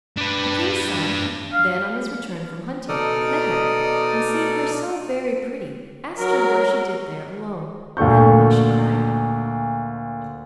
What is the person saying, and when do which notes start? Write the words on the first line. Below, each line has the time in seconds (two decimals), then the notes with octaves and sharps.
The King's son, then on his return from hunting, met her, and seeing her so very pretty, asked her what she did there alone, and why she cried.
0.18 D4 B4
1.53 F5
2.89 B2 D#4 A4 D5 D#6 F6
6.18 F#3 A#4
7.97 D2 A#2 A4 C#6 G6